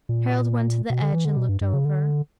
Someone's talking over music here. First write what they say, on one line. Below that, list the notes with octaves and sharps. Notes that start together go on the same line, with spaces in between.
Harald went to the edge and looked over.
A#2
B2
D3
E3
D3
B2
G2
G2
C#3
D3